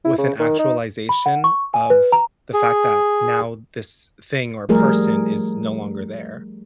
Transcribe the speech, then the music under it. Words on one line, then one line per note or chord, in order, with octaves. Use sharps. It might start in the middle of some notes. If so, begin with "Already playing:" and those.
with an actualization of the fact that now this thing or person is no longer there.
E4
C#3
D#3
D#4
B5
F#5
C#6
G#5
B4
A#5
G#4
F3 G3 A3 G#4 A#4